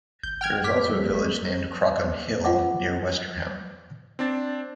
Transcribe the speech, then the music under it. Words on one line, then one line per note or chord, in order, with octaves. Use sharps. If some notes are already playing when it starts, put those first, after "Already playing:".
There is also a village named Crockham Hill near Westerham.
G#1 G6
F#5 G5 F6 G#6
F#2 D6 B6
F3 G3 A#3
G1 G#3 A#3
F4 F#5 D6
C4 D4 A6